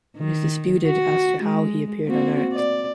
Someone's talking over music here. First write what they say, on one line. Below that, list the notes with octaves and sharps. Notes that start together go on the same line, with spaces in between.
It is disputed as to how he appeared on Earth.
D#3
F#4
G#3
A#3 C4 F#4
D5